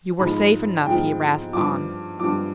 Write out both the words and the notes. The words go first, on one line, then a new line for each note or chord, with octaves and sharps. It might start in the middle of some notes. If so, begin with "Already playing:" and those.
"You were safe enough," he rasped on.
G#2 F3 B5
G#2 F3 G5
G2 F3 D6
G2 F3 D6